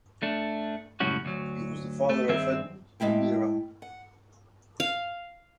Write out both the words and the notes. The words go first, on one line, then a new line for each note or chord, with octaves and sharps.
He was the father of Edmund O'Meara.
A3 D4
C#2 F#2 A2 G3 C#4 F#4
D2 F#3
A3
G2 D#3 C4 G#4 E5
A2 G#3 A#3 E4 G5
F#5
F5